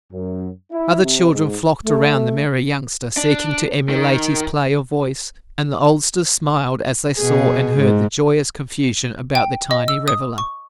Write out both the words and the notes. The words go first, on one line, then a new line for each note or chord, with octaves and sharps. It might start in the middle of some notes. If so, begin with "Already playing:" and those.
Other children flocked around the merry youngster, seeking to emulate his play of voice and the oldsters smiled as they saw and heard the joyous confusion about the tiny reveler.
F#2
E4
C3
G#2
A3
D4
D#3
B2 G#4
G#2
G5
D#5
E6
D#6
C#6